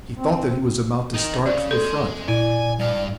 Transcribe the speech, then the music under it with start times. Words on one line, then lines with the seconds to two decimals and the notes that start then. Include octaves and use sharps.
He thought that he was about to start for the front.
0.14 C4
1.14 C4 D#4 A#4
1.46 C#3 D5
1.71 G#4 A4 C6
2.28 A#2 E4 D5 G#5
2.79 G2 D5 F5